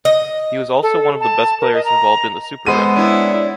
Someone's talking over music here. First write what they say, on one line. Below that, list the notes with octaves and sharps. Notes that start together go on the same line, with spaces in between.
He was also one of the best players involved in the Super Rugby.
D#5
A4
A5
A#4
D#5
A#5
G#3 B3 A4 C5 D#7
D4 E4 C#5